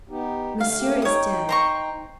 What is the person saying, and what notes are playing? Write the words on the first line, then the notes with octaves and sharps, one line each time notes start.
"Monsieur is dead."
B3 D#4 G4
D3 A3 F5
A3 A#3 G4
D#4 C#5 G5 D#6
C5 A#5 C#6